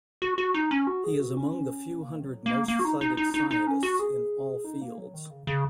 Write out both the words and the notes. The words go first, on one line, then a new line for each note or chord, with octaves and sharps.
He is among the few hundred most-cited scientists in all fields.
F#4
F#4
D#4
C#4
F#4
G#4
F#4
C#4
A#3
D#3
F#3
A#3
A#3
F#4
D#4
D#4
D#4
D#4
D#4
C#4
F#4
G#4
D#4
A#3
F#3
D#3
C#3
C#3